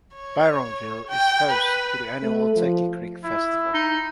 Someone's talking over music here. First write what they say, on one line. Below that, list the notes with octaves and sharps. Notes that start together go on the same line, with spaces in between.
Byromville is host to the annual Turkey Creek Festival.
C#5
G5
B4
A3
F3
E4
D#4